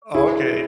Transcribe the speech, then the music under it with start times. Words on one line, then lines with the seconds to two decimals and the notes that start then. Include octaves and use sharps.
Oh, okay.
0.15 E4 G#4